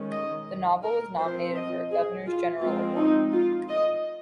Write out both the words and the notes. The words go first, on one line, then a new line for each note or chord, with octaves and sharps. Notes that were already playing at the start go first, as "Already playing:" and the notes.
The novel was nominated for a Governor General's Award.
Already playing: D#3 G#3 C#4
D#5
A#4
F3 C4 C5
D#5
G#4
F4
F3 G#3 C4 F4
D#4
F4
D#5